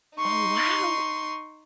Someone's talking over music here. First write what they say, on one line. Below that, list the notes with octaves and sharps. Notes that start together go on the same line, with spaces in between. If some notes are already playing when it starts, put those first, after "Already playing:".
Oh, wow.
D#4 C6 C#6